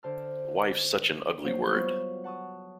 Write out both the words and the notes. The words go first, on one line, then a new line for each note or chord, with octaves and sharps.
Wife's such an ugly word.
D3 C5 A5 F6
F3 F#3 A#3 F4 C5
F#3 G3 B3 F4 C#6
F#5 A5 C#6 D#6